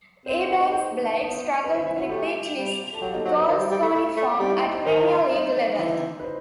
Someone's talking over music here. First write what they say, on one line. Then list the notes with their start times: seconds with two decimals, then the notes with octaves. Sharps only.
Ebanks-Blake struggled to repeat his goalscoring form at Premier League level.
0.26 C4 C5
0.38 C5
0.49 B4
0.60 D#4 D#5
0.72 C5
1.18 B3
1.64 B4
1.75 C5
1.86 E4 E5
1.98 F#4 F#5
2.10 A3 G4 G5
2.56 G3
3.02 F#3 G4 G5
3.14 D#4 D#5
3.25 F#3 C5
3.36 B4
3.48 D#3 C5
3.59 G3
3.71 G3
3.82 A3
3.94 A3
4.17 A3
4.39 G3 D#4 D#5
4.51 E4 E5
4.62 D#4 D#5
4.75 C5
4.86 D#3 C5
5.32 D#4 D#5
5.78 E3
6.20 B4
6.24 C5